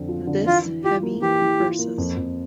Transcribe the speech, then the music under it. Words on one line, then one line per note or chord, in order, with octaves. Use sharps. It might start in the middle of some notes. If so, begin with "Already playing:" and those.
This Hemi "vs".
Already playing: F2 D3 C4
F3
D3
E3 F4
E3
F4 G4
A#3
E3 G4
E3
F4
A#3
F2
F2